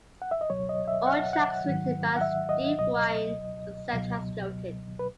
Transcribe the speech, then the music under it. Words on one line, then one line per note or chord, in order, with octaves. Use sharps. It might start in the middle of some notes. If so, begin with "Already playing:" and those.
All tracks written by Steve Wynn except as noted.
F#5
E5
D#5
C#2 B2 F#3 C#5
D#5
E5
F#5
F#5
G#2 D#3 F#3
F#5
E5
D#5
C#2 B2 F#3 D#5
C#2 B2 F#3
B4